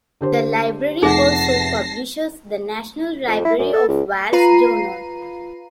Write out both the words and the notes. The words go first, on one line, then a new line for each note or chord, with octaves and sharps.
The Library also publishes the "National Library of Wales Journal".
D3 G4 C5
F1 A3 D#4 G#4 F#5 A5 A#6 C7
F2
E4
F#2
A4
C#2
F4 B4 A#5 C7 D#7